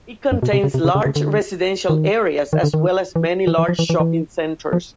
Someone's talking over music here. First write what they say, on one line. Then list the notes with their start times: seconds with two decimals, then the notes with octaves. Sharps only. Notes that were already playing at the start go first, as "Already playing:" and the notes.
It contains large residential areas as well as many large shopping centers.
0.32 F#2
0.43 B2
0.53 C3
0.63 C#3
0.74 C3
0.84 C#3
0.95 C#3
1.05 C#3
1.16 D3
1.89 D#3
2.53 D#3
2.63 D3
2.74 D#3
3.16 E3
3.47 E3
3.58 E3
3.68 F3
3.79 E3
3.90 E3
4.00 E3
4.73 F3